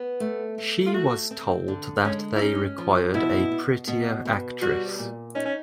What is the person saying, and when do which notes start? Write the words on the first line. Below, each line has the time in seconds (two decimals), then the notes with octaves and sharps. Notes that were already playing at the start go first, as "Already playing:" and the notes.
She was told that they required a prettier actress.
Already playing: B3
0.20 A3
0.58 A3
0.87 F4
0.94 A3 F#4
1.31 C4
1.68 D3
2.04 G#3 C#4
2.36 E4
2.41 C#4 D#4
2.78 F3
3.14 B2 E4
3.52 B2
3.87 B2
4.25 B2
4.62 G3 F#4
4.98 A#2
5.35 C#4 D#4
5.46 C#4